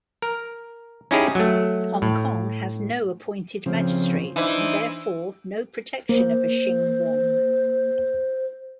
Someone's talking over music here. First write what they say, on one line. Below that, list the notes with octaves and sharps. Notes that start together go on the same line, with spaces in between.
Hong Kong had no appointed magistrate and therefore no protection of a Shing Wong.
A#4
C#4 D#4 E4 G4 G#4
F#3 A3
A2
C#3 F3 C4
E3 D4 D#4 C5
A#3 C5